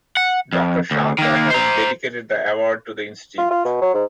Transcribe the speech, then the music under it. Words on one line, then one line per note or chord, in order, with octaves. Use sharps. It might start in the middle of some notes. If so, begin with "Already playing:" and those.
Doctor Shanta has dedicated the award to the institute.
F#5
F2
D2
D#3 A#3
C5 A#5
F4
F4
B2
F#3
G#2